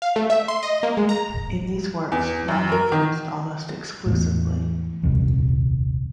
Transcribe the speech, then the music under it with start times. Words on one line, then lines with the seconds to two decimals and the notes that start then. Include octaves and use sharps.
In these works, black is used almost exclusively.
0.02 F5
0.16 A3
0.30 E5
0.48 C6
0.63 D#5
0.83 A#3
0.97 G#3
1.09 A#5
2.12 E2
2.48 F#2
2.72 A#4
2.92 D#3
4.06 E2 A2
5.03 D#1 C2 F2